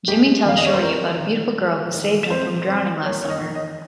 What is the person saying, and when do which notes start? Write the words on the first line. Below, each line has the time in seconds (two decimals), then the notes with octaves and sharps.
Jimmy tells Shorty about a beautiful girl who saved him from drowning last summer.
0.08 G#3 G4
0.45 D#3 F5
0.56 D#5
0.66 C#5
0.74 C5
0.82 C4 A#4
1.20 D#3
1.57 G#3
1.94 D#3
2.30 C4 C5
2.67 C4
3.05 A#3 C#5
3.22 C#5
3.30 D#5
3.42 D#3
3.55 D#5